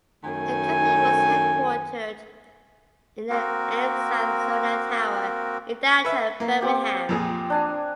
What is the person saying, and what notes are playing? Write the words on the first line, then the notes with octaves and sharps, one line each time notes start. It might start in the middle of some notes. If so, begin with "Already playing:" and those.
The company was headquartered in the AmSouth-Sonat Tower in downtown Birmingham.
F#2 D#3 A3 G#5
A#3 C4 F#4 A#4
B4 E5
A#3
C4 G4 D6
F2 A#2 G#4
D4 G#5 A#5